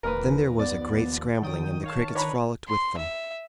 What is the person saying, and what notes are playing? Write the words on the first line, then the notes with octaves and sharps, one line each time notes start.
Then there was a great scrambling and the Crickets frolicked with them.
D1 D#2 F3 A#4 B4
B3 D5
D#3 F#3 G5 D#6
C#5 F5 A5
D4 B4 C#5 A#5 B5
C6
E5